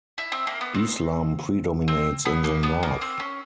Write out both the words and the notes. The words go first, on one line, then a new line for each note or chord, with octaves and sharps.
Islam predominates in the north.
E4
C4
A#3
B3
C4
C4
B3
A#3
B3
A#3
C4
C#4